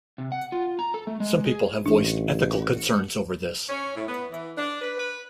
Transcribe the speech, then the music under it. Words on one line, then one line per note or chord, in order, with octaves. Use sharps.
Some people have voiced ethical concerns over this.
C3
F#5
F4
A#5
A4
A3
G#3
G#4
A1 D4
C#4
A2
B3
E3
D4
B4
B4